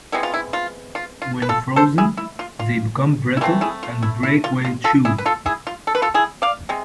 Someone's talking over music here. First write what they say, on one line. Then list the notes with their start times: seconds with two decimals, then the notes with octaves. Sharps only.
When frozen, they become brittle and break when chewed.
0.12 C3 G#3 B3 E4
0.23 F4
0.34 E4
0.53 F4
0.95 F4
1.22 F4
1.42 B4
1.49 F4 A4
1.76 A4 C5
1.98 E4 G#4
2.17 E4
2.39 F4
2.59 F4
3.37 E4
3.41 E3 A3 C4 F4
3.61 E4 G#4
3.83 F4
4.03 E4
4.23 E4
4.44 F4
4.65 F4
4.84 F4 A4
5.05 E4 G#4
5.18 B4
5.26 F4 A4
5.46 E4 G#4
5.67 F4
5.87 A4
5.95 B4
6.02 F4 A4
6.14 E4 G#4
6.42 D5 F5
6.69 C3 G#3